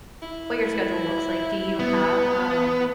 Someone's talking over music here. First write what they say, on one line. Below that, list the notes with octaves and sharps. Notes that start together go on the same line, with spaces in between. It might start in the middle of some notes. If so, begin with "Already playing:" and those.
what your schedule looks like. Do you have, um,
E4
B3